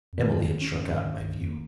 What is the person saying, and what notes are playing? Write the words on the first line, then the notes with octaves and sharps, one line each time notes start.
Emily had shrunk out of my view.
F2
G2 D#3
C#4
G2
G2 D#3
F2
A#3